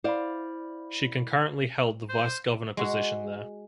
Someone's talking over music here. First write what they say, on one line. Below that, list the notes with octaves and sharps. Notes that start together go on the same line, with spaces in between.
She concurrently held the vice governor position there.
E4 C5 D5 F5 B5
C5
G#3 F#4